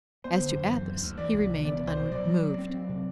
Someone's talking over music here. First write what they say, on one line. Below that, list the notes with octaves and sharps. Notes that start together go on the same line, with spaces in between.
As to Athos, he remained unmoved.
B3 C5
D3
F#2
E3
D2
D2
E3 D5
C2
E3
B3 D5
C2
C5
B2
F#3 D5
F#3
F#3
C4
F#3
C3